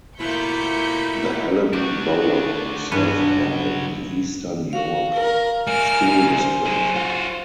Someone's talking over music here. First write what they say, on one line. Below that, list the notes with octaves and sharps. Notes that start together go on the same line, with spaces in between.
The Hallam Borough is served by the Eastern York School District.
B2 A3 A#3 E4 F4 G6 B6 C#7
D4 F#4 G4
G2 F#3 B3 C#5 G#5
F#4 F5
A#4
G3 A#4 G#5 F6
C5
F#3 G#4
F4 F#4